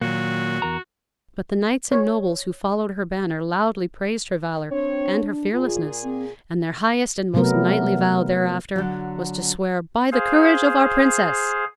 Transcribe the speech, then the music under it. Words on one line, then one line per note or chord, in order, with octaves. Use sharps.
But the knights and nobles who followed her banner loudly praised her valor and her fearlessness, and their highest and most knightly vow thereafter was to swear "By the courage of our Princess."
A#2 D#3 F#3 A#3 F#4
E2 A#4 A#5
C#5
C4 D4 C#5
A#2 F4 G#4
C4
C3 F#3 A3 B3 A#4
D3 F#3
G#4 C5 F5